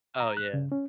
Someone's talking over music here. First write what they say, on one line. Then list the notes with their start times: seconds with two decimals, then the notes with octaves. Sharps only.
Oh, yeah.
0.20 A#5
0.37 F#6
0.54 C#3
0.72 C#4